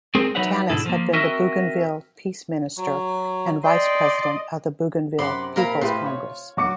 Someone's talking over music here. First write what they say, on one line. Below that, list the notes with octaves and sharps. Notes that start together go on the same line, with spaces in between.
Tanis had been the Bougainville Peace Minister and vice-president of the Bougainville People's Congress.
G#3 C4 G#4 A#4
F#3 D#4 B4 C#5 E5 F#5
G#2 B2 D3 E4 A4
F3 A#3
C4 F#4 A#4 D#5 E5
F#3
D5 D#5 G5 C6
F#2 C3 F#5 B5 C6 D6
A#2 A#4 F5 B5
A2 F4 G4 B4
C#5
F#3 F#4 D6 C#7